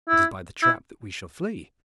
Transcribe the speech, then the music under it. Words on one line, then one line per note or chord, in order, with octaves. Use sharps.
It is by the trap that we shall flee.
E4
E4